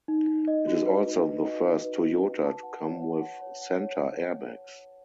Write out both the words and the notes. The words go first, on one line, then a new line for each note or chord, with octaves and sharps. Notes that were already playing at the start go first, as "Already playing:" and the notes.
It is also the first Toyota to come with centre airbags.
D#4
D#4
D#5
F#4
B4
B4
B4
D#5
D#5
B4
F#4
B4
A5
F#5
C#5
F#5
F#5
C#5
F#5
C#5